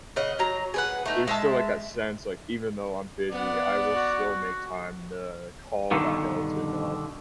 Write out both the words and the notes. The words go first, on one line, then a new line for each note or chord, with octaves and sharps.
there's still, like, that sense, like, even though I'm busy, I will still make time to call that relative up
C#3 D#5 F#5
F#3 A#5
G#4 B4 F#5
A3 D#4
G#3 E5 A5
B3 D5 F#5
F#4
G2 B2 D3 D#3